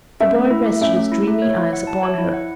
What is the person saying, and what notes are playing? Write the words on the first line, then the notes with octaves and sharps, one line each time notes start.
The boy rested his dreamy eyes upon her.
C#4 E5
A3
E4
A3
C#4 E5
A3
E4
A3
C#5
E4
F#5
A5
C#5
E4
F#5